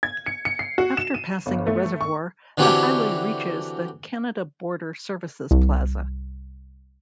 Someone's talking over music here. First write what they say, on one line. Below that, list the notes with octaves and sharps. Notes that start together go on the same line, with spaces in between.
After passing the reservoir, the highway reaches the Canada Border Services plaza.
G#6
C#7
C#7
C7
F#4
E7
D#7
G1
A3
C#6
D3 E3 C4 F#4 G4 C#5
C2